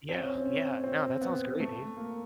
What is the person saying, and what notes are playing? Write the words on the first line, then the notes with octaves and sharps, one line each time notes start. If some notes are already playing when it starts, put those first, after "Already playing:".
Yeah. Yeah. Now, that sounds great, dude.
C4
C#4
C#4
C4
C#4
C4
B3
A3
A#3